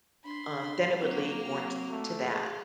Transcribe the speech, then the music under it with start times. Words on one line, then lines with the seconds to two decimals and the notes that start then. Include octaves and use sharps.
um, then it would lead more t to that.
0.24 D4 B5 C6
1.00 F#3 A#3 C4 F7
1.52 F#3
1.90 A3
2.19 F4 G#4